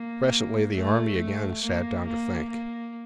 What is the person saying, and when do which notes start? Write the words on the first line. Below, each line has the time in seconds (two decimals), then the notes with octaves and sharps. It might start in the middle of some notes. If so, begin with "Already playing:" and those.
Presently the army again sat down to think.
Already playing: A#3
0.74 A3
1.18 A3
1.62 A#3
2.06 A#3
2.50 A#3